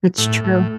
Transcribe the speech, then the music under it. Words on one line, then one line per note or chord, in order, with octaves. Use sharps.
It's true.
A2
A2